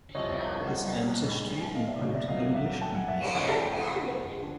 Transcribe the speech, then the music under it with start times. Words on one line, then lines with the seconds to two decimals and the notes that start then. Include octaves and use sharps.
His ancestry includes English and Irish.
0.15 C2 C3 F3 C#5 D#5
1.21 G2 D#3 G#3
1.75 D#5 F5
1.88 D5 E5
2.02 C#5 D#5
2.15 D5 E5
2.28 C2 A#2 F#3 A3 D#5 F5
2.54 E5 F#5
2.81 G5 A5
2.95 F#5 G#5
3.08 E5 F#5
3.34 D#2 C#3 F3 A3 C#5 D#5
3.48 D5 E5
3.62 G5 A5
3.75 F#5 G#5
4.42 D3 F3